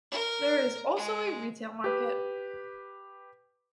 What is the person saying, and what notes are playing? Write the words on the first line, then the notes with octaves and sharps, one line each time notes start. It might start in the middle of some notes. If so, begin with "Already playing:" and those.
There is also a retail market.
A#4
G#3
G4 B4